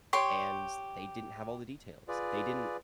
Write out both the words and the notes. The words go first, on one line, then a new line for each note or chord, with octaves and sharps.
and they didn't have all the details, they didn't
G4 C#5 C6
F4 G#4 B4 D5